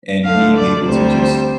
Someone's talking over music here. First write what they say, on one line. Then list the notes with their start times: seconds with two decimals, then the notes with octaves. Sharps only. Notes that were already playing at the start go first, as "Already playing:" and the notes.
And being able to just
0.24 D2 D3 A3 F5
0.55 D5
0.85 D2 C3 G3 C5